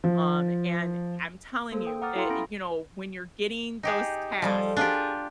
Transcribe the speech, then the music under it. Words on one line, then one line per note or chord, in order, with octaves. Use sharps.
um, and I'm telling you, i you know, when you're getting those tasked
F3
A#3 A4 C5
G5 D#6
F#5 A#5 D6 D#6 F6 A6
E4 A4 F5 G5 A#5 C6
B3 C#4 B5 D#6 A#6 D7
D#4 G4 G#4
F3 G3 F4 A4
D4 F4 G4 G#4